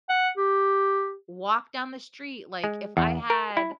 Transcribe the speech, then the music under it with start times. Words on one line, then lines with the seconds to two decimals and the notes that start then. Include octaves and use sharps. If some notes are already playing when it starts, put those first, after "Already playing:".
walk down the street, like, if I had
0.09 F#5
0.37 G4
2.64 G#3
2.97 E2
3.30 A#4
3.57 E4